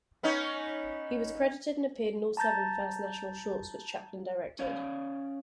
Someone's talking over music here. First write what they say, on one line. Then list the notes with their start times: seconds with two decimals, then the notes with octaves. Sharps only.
He was credited and appeared in all seven First National Shorts which Chaplin directed.
0.23 B3 C#4 D#4
2.37 A5 A#5 G6 A6
4.59 C#4 C#5 D5 F5